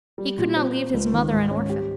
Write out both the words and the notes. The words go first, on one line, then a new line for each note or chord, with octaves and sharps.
He could not leave his mother an orphan.
G3
A#2
C4
C5
C#2
D#3
G#2
C#4
G4